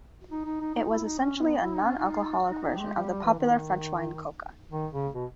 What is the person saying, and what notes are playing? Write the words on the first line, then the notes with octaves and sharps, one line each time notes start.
It was essentially a non-alcoholic version of the popular French wine coca.
D#4
D#4
D#4
D#4
E4
D#4
C#4
C#4
B3
E4
D#4
C#4
D#4
D#4
D#4
G3
G#3
G3
G3
E3
D#3
D#3
C#3
B2